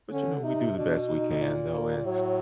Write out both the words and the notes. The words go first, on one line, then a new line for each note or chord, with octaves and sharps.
But, you know, we do the best we can, though, and
D3 C#4
C3 D#4
B2 D4
D#4
A#2
A#3
A2 F#3